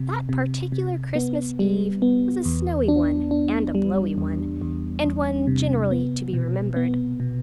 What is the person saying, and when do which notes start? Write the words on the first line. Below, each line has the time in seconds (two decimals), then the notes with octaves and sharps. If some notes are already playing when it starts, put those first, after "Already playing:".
That particular Christmas eve was a snowy one and a blowy one, and one generally to be remembered.
Already playing: C3
0.29 C3
0.72 C3
1.15 B3
1.59 G3
2.02 B3
2.45 E2
2.88 D4
3.31 D4
3.75 G3
4.18 E2
4.61 E2
5.04 E2
5.47 C3
5.91 B3
6.33 B2
6.76 B3
7.20 B2